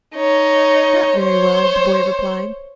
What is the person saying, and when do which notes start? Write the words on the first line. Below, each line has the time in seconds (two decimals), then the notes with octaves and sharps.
"Not very well," the boy replied.
0.15 D#4 C#5
1.18 C5 C#5